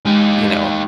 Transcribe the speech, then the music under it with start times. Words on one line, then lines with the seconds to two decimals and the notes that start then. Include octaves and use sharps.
you know
0.05 G#3 D#4 G4